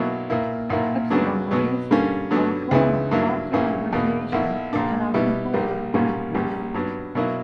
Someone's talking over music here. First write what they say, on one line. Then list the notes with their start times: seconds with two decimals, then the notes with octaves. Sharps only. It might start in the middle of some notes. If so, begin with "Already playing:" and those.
Epsilon rays are a form of particle radiation and are composed of electrons.
Already playing: B1 B2 F#3 A#3 E4
0.30 A#2 A#3 E4
0.70 B1 A#2 A#3 E4
1.10 F#2 C#3 F#3 B3 D4
1.51 B2 F#3 B3
1.91 G2 D3 G3 A#3 C#4
2.31 G2 D3 F#3 B3
2.71 C#2 C#3 E3 B3 E4
3.11 G2 F#3 A#3 E4
3.52 A#1 A#2 A#3 C#4 E4
3.93 E2 B2 A#3
4.32 B1 B2 A#3 E4
4.73 A#1 A#2 A#3 D4
5.14 B2 G3 B3 E4
5.53 A#1 A#2 G3 A#3
5.94 B1 A#2 G3 A#3 C#4
6.35 A#1 A#2 G3 C#4
6.74 G2 F#3 B3
7.15 B2 F#3 A#3 E4